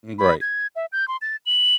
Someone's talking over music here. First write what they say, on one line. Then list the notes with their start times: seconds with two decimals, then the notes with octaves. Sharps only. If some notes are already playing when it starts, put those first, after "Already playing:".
M right.
0.19 B5
0.41 G#6
0.76 E5
0.92 G6
1.08 C6
1.22 A6
1.46 F#7